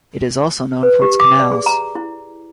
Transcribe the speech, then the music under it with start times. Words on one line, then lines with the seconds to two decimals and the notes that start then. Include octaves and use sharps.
It is also known for its canals.
0.83 B4
1.02 G4
1.20 D6
1.40 D5
1.52 G#4
1.66 A#5
1.95 E4